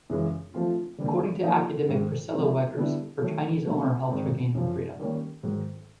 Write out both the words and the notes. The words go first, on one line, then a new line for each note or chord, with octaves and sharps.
According to academic Priscilla Wegars, her Chinese owner helped her gain her freedom.
F#2 C#3 E3 G#3 C#4
F3 A3 C4 F4
D3 G3 A#3
F3 A#3 D#4 G4
G#2 D#3 G#3
C3 F3 G#3
D3 G3 B3 E4
D#3 F#3 A3
B2 F#3 A3
G#2 D#3 G3 C4
F#2 C#3 F3
D#3 G3 A#3 C#4
G#2 D#3 F#3